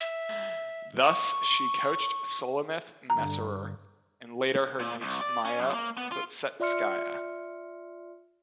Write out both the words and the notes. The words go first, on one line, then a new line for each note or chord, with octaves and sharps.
Thus she coached Sulamith Messerer and later her niece Maya Plisetskaya.
E5
C#6
G2 D3 A#5
A#2
C2
D5
C#4
F#2
A#3
B3
F4
F4 D5 E5 C6 F6 C#7